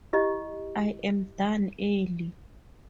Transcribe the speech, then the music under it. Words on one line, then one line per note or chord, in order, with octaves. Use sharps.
I am done early.
E4 G4 D#5